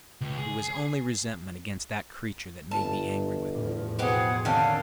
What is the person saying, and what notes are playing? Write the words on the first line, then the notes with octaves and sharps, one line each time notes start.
It was only resentment against that creature that made me angry with him.
C#2
G#4
G1 A5
E2 A2 F3
B2 G4 G#4 B4 C5 F#5
D3 D#3 C#4 F5 G5 A5